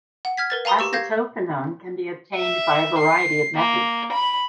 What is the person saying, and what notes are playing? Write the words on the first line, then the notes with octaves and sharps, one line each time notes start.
Acetophenone can be obtained by a variety of methods.
F#5
F6 G#6 B6
A#4 B4 A6
F5 G#5 A#5 C6 D#6
G4 C#6 E6
F5 G6 G#6 A#6
E5
C7
A#3
B5